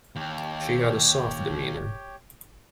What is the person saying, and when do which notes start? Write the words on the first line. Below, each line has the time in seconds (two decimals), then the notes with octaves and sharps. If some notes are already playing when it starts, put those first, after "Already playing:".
She had a soft demeanour.
0.16 D#2 G4 C#5 G5